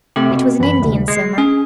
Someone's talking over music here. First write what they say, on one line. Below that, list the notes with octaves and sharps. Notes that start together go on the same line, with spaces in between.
It was Indian Summer.
C3 A3 C4 G4
B2
F#2 E3 B5
D2 C3
G#3 C7
C#4 G#4